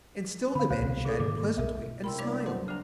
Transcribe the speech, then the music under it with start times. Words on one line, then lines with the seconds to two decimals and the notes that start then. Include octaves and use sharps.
And still the men chatted pleasantly, and smiled.
0.55 D3 F5 B5
0.70 C#2 C5 C#5 F5
0.82 C2 B2
1.05 G#4 A4
1.19 G#2 D#3 A#3 D6
1.57 B1 B2 A#4 E5
2.04 C3 E4 A#4 G5 B5 C6 E6
2.19 G3 D4 B4 C#5 D5
2.46 F#3 C5 F#5 A5
2.68 C#3 D4 A#5